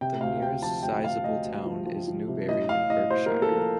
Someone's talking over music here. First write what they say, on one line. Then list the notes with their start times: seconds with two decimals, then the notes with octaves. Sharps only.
The nearest sizeable town is Newbury in Berkshire.
0.01 C3 G5
0.21 D2 F5
0.42 C3 G5
0.62 F3 A5
0.83 D2 G5
1.03 D2 F5
1.24 D2 D#5
1.45 D2
1.66 F3
1.86 F3
2.08 F3
2.28 C3
2.49 A2 D#5
2.69 A2 F5
2.90 A2 D#5
3.10 A2 C5
3.26 A#4
3.32 A#3
3.42 A4
3.51 F3
3.57 A#4